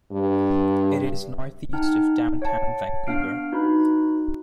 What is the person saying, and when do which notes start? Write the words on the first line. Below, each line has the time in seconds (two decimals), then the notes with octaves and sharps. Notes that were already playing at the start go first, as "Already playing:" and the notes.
It is northeast of downtown Vancouver.
0.12 G2
1.73 D#4 F#5 G5 A5 F6
2.42 C#5 F#5 A5
3.07 B3 D4 F5 F6 C7 D7
3.52 D#4 F#4 B4 B5